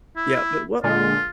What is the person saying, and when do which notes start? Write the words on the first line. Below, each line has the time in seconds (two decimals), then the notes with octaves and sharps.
Yeah. But what
0.16 E4
0.84 A#2 D3 G#3 F4